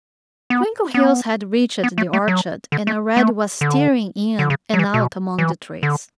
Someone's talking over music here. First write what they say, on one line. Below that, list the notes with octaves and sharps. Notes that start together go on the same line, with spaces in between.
Twinkleheels had reached the orchard and already was tearing in and out among the trees.
B3
B3
B3
A3
A3
F#3
D3
A3
A3
D3
D3
C#3
F#3
E3
B2
E3
D3